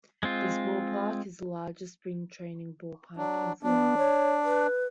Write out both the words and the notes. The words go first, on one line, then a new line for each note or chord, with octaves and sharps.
This ballpark is the largest spring training ballpark in Florida.
G#3 C4 F4
F#3 D4
B3 D4
C#5
B4